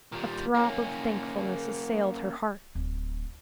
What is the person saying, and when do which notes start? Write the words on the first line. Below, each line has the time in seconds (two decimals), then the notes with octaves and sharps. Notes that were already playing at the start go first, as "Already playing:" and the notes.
A throb of thankfulness assailed her heart.
0.13 A#2 G3
0.55 A#3 C#4
2.75 D1